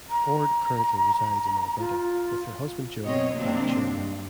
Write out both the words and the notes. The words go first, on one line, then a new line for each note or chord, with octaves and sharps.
Ord currently resides in Alberta, with her husband Joe and five children.
A#5
F4
F#2 B2 C4 C#5 D#5
C3 D#3 F#3 A#3 C4 D4
G2